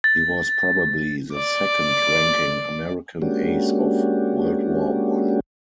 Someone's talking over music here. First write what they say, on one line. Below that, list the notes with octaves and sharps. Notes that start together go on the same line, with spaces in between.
He was probably the second-ranking American ace of World War One.
A6
D5 D6
G#3 A#3 C#4 D4 F#4 G4